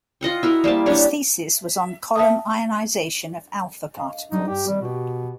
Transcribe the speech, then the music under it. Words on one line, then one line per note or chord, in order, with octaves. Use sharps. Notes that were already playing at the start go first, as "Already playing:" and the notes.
His thesis was on column ionization of alpha particles.
F4 D#5 F#5 G5
E4 F#4 A#4 D#5
G3 A#3 C5 A5
D4 G4 C#5 D5
E5 A5 D#6
D#5 F5
F#3 G3 D4 D#4
G2 G4 G5
D#3 G3 C4
B2 F#4 G4